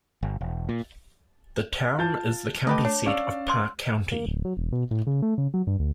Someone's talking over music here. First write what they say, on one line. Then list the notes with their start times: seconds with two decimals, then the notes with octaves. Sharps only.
The town is the county seat of Parke County.
0.23 G1
0.41 E1
0.69 A#2
1.99 F4 A5 G6 A6
2.67 A3 G4 B4 D#5
2.85 D4 C#5
3.06 C#4 D5 F5 E6
3.49 C6
4.12 A#3
4.26 D1
4.45 F#3
4.57 E1
4.72 B2
4.91 A2
5.07 C#3
5.22 A3
5.38 C#3
5.54 F#3
5.67 G2
5.79 D2